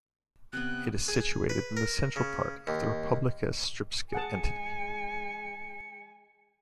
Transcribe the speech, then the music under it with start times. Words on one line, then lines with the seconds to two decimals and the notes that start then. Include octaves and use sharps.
It is situated in the central part of the Republika Srpska entity.
0.53 C3 B3 F#6
1.08 G#4
1.49 B4
1.77 A#4
2.16 C#3
2.67 D#2
4.12 G#3 G#4 F#5 G#5 A5 C#7